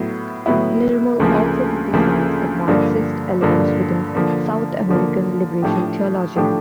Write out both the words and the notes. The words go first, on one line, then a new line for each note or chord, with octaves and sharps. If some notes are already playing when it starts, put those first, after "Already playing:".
Nirmal also criticised the Marxist element within South American liberation theology.
Already playing: A2 F#3 B3 E4
A2 F#3 B3 E4
D2 C#3 F3 A#3
D2 C#3 F3 A#3
G2 D3 F3 A#3
G2 D3 F3 A#3
D3 F3 A#3
D3 F3 A#3
A2 F3 A3 D4 G4
A2 F3 A3 D4 G4